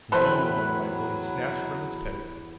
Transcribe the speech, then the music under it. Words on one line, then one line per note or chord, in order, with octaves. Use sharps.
His own long rifle he snatched from its pegs.
E2 F#3 A4 B4 C5 E5 G5 C6